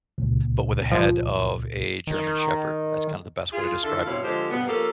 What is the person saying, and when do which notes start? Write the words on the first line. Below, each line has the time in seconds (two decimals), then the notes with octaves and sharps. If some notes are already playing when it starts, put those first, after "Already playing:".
but with a head of a German Shepherd, that's kinda the best way to describe 'em,
0.18 C#2 A#2
0.92 F3
2.07 D#3
3.52 F4 G#4
3.83 D3 D4 E4 F4 A4
4.06 G2 B2 C4 E4 C#5 F5
4.23 D3 F3 G#3 G4 A4 C5
4.51 G2 B2 G3 B3
4.68 F3 A#3 C#4 G4 A4